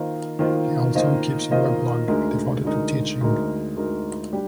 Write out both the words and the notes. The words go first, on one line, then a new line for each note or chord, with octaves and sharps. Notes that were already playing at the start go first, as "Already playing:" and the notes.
He also keeps a weblog devoted to teaching.
Already playing: D#3 A#3 F4 C5 D#5
D#3 A#3 F4 C5 D#5
D#3 A#3 F4 C5 D#5
D#3 A#3 F4 C5 D#5
D2 D3 G#3 D#4 A#4
D2 D3 G#3 D#4 A#4
D2 D3 G#3 D#4 A#4
D2 D3 G#3 D#4 A#4
G3 D4 G4